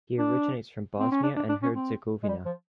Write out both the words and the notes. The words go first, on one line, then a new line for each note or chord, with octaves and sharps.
He originates from Bosnia and Herzegovina.
D4
C4
C#4
D4
D4
D4
C#4
C4
G#3
G3
F3